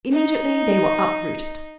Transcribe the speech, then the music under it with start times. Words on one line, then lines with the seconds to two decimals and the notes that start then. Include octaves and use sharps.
Immediately they were uprooted.
0.11 D#4